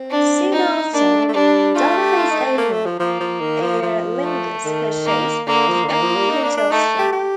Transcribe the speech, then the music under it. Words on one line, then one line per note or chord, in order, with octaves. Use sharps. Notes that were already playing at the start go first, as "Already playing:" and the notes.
Soon after, Dunfey's owner, Aer Lingus, purchased the Omni Hotels chain.
Already playing: C4
D4
D#4
A#3 D4
A3
A3
G3 D4
A3 F4
G4
F4
D#4
C4
A#3
A3
F3
F3 A#3
F3
D#3
F3
F3
A3
D#3
A#3
D3 A#3
F3
D3
D#3 A#3
F3
G3
D#4
D4
D4
A3 D#4
G4
G4